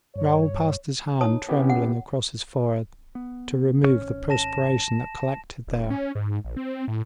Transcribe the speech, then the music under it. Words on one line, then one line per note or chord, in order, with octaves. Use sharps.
Raoul passed his hand trembling across his forehead to remove the perspiration that collected there.
G2 C#5
D#4 C#5 A5 D#6
B3 C#4 E4 G4
F#5
B3
G#1 B2 C#4
A5 A#6 E7
D#1
C#4
G#2
A#1
C4
A2